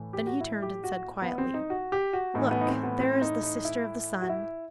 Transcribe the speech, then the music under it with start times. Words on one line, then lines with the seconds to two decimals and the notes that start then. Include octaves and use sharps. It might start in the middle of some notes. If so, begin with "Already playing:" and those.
Then he turned, and said quietly: 'Look, there is the Sister of the Sun!'
Already playing: A2 E3
0.13 G4
0.27 F#4
0.41 E4
0.62 G4
0.84 F#4
1.22 B3
1.38 C4
1.54 D#4
1.70 F#4
1.92 G4
2.13 F#4
2.35 A2 E3 D#4
2.51 B3
2.61 D#4
2.68 C4
2.83 B3
3.00 C4
3.21 D#4
3.43 D#4
3.65 E4
4.22 F#4
4.29 E4